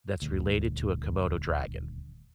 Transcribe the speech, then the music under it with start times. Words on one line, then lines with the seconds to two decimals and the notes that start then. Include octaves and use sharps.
that's related to a Komodo dragon.
0.22 D#1 D2